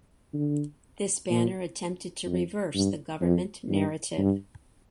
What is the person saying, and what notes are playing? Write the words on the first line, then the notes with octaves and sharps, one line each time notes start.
This banner attempted to reverse the government narrative.
D3
A#2
F2
G2
F2
G2
G2